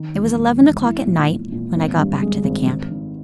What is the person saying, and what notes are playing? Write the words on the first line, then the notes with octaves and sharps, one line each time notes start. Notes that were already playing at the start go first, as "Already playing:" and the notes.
It was eleven o'clock at night when I got back to the camp.
Already playing: D#3
E1
E1
E1
E4
A#2
A#2
A#2
G#1
G2
G#3
G#1
G#1
D#3